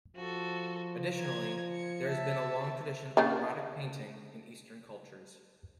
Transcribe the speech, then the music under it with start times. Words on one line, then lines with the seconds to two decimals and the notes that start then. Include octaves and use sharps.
Additionally, there has been a long tradition of erotic painting in Eastern cultures.
0.16 F3 F#4 A4
1.16 A#5 G#6
1.73 C#7
2.06 E5 A5
3.17 C#3 A#3 D4